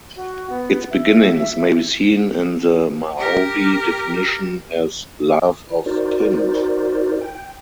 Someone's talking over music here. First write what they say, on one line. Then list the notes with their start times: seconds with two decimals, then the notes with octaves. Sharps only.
It's beginnings may be seen in the Maori definition as "love of kin".
0.16 F#4
0.50 B3
0.91 E5
3.17 G4 A#4
5.86 D#4 F#4 A#4 C5 D5
7.21 G5